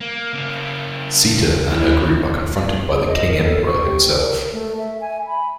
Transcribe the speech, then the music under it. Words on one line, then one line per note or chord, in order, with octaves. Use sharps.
Sita and her group are confronted by the King-Emperor himself.
A#3
C#3 A#3
D#3 E3 E4
G#4
D#5
A#4
A4
C#6
G4
A#4
A3
E5
G#5
B5